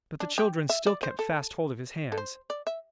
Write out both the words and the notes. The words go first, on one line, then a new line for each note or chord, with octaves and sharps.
But the children still kept fast hold of his hands.
D4
G4
E5
D5
C5
A4
A4
C5
D5
E5